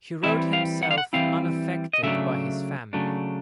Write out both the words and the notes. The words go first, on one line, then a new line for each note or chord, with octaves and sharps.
He wrote himself unaffected by his family.
E3 G3 C4 E4 E5
F5
F#5
F5
F#5
E3 G3 C4 E4 F5
D#5
C#3 F#3 A3 D4 E5
C#3 F#3 A3 D4